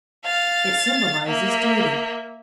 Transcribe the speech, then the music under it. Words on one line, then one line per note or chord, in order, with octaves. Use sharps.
It symbolizes duty.
F5 A6
A#3 E5